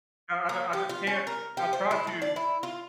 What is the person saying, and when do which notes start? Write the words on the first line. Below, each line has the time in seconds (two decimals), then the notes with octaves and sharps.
I I I just can't I try to
0.49 A#3
0.73 G4
0.89 F4
1.07 C#4
1.27 A#4
1.57 G4
1.73 C5
1.91 E4
2.07 A3
2.22 D5
2.36 E4
2.63 F4